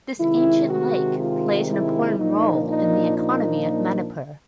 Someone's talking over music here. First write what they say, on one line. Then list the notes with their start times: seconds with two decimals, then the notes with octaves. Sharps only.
This ancient lake plays an important role in the economy of Manipur.
0.19 C3 D#3 G#3 E4
0.69 F#4
1.18 F4
1.68 E4
2.18 A#2 F3 A#3 D4 D#4
2.68 D#4
3.17 D#4